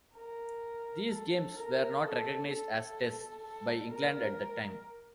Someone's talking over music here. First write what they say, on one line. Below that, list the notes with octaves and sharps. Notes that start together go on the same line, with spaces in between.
These games were not recognised as Tests by England at the time.
A#4
A4
A#4
A4
A4
A4
A#4